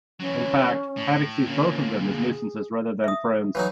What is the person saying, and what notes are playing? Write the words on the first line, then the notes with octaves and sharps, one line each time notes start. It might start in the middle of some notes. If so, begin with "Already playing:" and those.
In fact, Haddock sees both of them as nuisances rather than friends.
E3 F#3 C#4
A2
A#2 D3 C#4
G#4
E5 D#6
E3 F#3 D#4